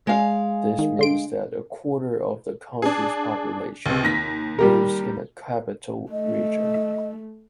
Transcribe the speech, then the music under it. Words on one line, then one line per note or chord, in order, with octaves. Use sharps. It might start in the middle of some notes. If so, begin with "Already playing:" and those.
This means that a quarter of the country’s population lives in the capital region.
G#3 F5
D#3
D3 C6 D7
D4 G#4
C#2 C3
D#2 A#6 B6
G3 G4 A#4
A3 D#5